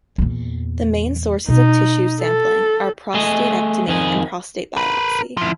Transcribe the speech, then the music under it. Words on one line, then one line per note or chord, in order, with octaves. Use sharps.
The main sources of tissue sampling are prostatectomy and prostate biopsy.
E2 A#2
B2 D4 D#4
A4
A3 G#4 D#5
F2 D#3 G#4
A#4 B4
F3 E4